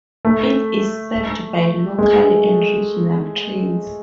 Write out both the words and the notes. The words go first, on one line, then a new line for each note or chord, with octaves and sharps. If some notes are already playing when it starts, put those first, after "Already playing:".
It is served by local and regional trains.
A3
G#3